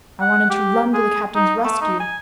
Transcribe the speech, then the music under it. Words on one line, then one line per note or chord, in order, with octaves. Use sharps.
I wanted to run to the captain's rescue.
F#5
G4
G#4
D#4
A3
D#4
G#5